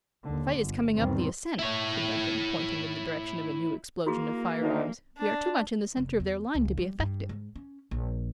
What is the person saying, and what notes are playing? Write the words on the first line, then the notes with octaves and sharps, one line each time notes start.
"The fight is coming up the ascent," said Duncan, pointing in the direction of a new explosion of firearms; "we are too much in the center of their line to be effective."
D#2 D3
G1
E2 G#2 B2 D#3 G3 C4
E4 C#5
A#3 E4 F#4 G#4
D2 D#4
D4
F1
E2
C#2
G3
G2
G#2
C#4
A#1